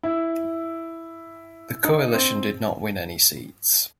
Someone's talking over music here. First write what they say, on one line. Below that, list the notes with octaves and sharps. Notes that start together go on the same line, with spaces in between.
The coalition did not win any seats.
E4
D#4
C4